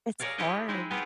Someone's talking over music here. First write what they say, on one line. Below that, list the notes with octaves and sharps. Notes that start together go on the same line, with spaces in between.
it's hard.
G#4 A#4 C#5 D5 F5
E4 F4 G4 G#4 C#5 D#5
G#3 C4 D#4 E4 G#4
B3 C4 F4 G4 G#4 C5